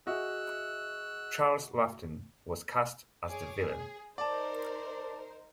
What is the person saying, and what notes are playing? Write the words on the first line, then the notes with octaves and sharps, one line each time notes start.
Charles Laughton was cast as the villain.
F#4 G#4 D#5 E5 E6 F#6
G#4 C#5 D6
G#4
D#4 A#4 C5 D5 A5